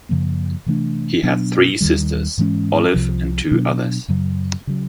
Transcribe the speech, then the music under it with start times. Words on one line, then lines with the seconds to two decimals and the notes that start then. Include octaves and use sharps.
He had three sisters, Olive, and two others.
0.09 F#2 C#3 F3 A#3
0.66 C3 E3 A3 D4
1.23 B2 F#3 B3 D4
1.81 D#2 D#3 G3
2.38 G#2 E3 G#3 C#4
2.94 C2 C3 F3
3.51 B2 F#3 B3 D4
4.08 F#2 C#3 F#3
4.67 C#3 F#3